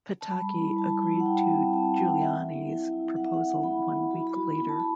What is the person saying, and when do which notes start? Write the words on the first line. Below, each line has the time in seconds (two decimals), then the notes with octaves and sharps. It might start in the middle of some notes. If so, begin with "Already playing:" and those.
Pataki agreed to Giuliani's proposal one week later.
0.21 A5
0.31 G3 B5
0.55 E4
0.78 G3 A5
1.02 E4
1.20 F#5
1.26 E4 G5
1.49 C4
1.73 C4 A5
1.86 A5
1.97 C4 G5
2.09 F#5
2.21 F#3 E5
2.45 E4
2.68 E4
2.92 E4
3.16 F#3 F#5
3.24 E5
3.34 F#5
3.39 F#3
3.63 E4 B5
3.88 E4
4.11 F#4 B5
4.27 B5
4.35 F#4
4.43 B5
4.58 B3 B5
4.69 A5
4.80 B5